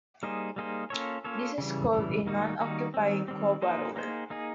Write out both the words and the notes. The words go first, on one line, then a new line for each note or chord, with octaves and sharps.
This is called a Non-Occupying Co-Borrower.
G3 A#3 D#4 G#4 C5
G3 A#3 D#4 G#4 C5
A#3 C#4 F4 A4 C#5
A#3 C#4 F4 A4 C#5
C#3 E3 G3
C#3 E3 G3
D#3 G3 A#3 D#4 F#4
D#3 G3 A#3 D#4 F#4
D#3 G3 C4
D#3 G3 C4
A#3 D#4 G#4 C5
A#3 D#4 G#4 C5
A#3 D#4 G#4